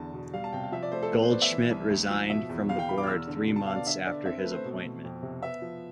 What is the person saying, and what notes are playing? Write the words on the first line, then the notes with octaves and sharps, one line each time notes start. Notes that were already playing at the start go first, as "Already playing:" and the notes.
Goldschmidt resigned from the board three months after his appointment.
Already playing: E2 D3 A5
B2
G3 F5
A5
C3 G5
F5
F3 E5
D5
A3 C5
A4
B3 B4
C5
B3 D5
E5
E3
C2
D2
F3
B2 E5
E2
E2 F5
G5
B2 B5
D6
F6
E2 E6
D3
B2
A5
B3 F5
D5
D3 E5
D3 D5
C4 E5
B4
A3
C5
B2
B2
F2
C3
B3 E5
F3